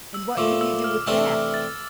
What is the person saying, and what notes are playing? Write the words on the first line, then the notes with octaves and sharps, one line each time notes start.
"And what can you do with that?"
E6
A#2 F3 A3 D6
E6
F6
C3 E3 A3 D4 G4 E6
E6
A6